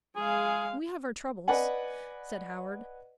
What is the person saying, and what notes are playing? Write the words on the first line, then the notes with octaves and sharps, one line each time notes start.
"We have our troubles," said Howard.
G#3 G#4 F5
B4 D5 D#5 F#5 G#5